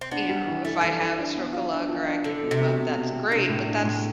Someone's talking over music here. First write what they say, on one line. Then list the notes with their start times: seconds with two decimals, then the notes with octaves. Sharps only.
eh you know, if I have a stroke of luck or I can move up, that's great, but that's uh,
0.01 C4
0.11 B3 D4
0.29 G3
0.47 E3
0.64 E3 A3
0.82 E3
1.00 E3
1.19 D4
1.35 B3
1.53 F4
1.72 D4
1.88 F3
2.06 D4
2.24 D3 D4
2.43 B2
2.51 C3
2.60 B2
2.78 B2
2.95 B2
3.13 B2
3.31 C3 D4
3.48 A2
3.67 D4
3.84 A2